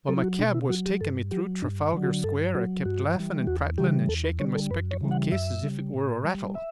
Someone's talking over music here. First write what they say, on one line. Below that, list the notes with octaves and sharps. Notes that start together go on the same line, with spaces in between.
While my cab was taking me through Trafalgar Square I kept laughing and prattling and shaking my spectacle-case as if it were a rattle.
F#3 A4
E4
F#4
B2 D4
E4
F#3 F#4
G4
G2 A4
F#3 G4
G2 D4
D3 F#3
F#4
G2 A4
F#3 F#4
G2 F#4
E3 G3
E2 F#4
C#3 E3 G3 G4
E2 A4
B4
D3 G3 C#5
A4
F#2 B4
C#5
C#3 E3 G3
F#5
F#2 E5
C#3 G3
A2
G3
E5